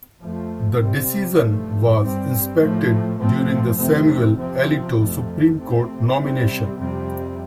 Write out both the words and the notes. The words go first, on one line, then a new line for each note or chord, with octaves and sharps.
The decision was inspected during the Samuel Alito Supreme Court nomination.
F2 F3 A3
C3 G3 C4
G2 F3 A3
G2 G3 C4
A2 F3 A3
A2 F3 A3 C4
F2 C3 A3 C4
C3 F3 C4
F2 C3 F3 A3
C3 A3 C4
C3 G3 C4
F2 C3 G3 C4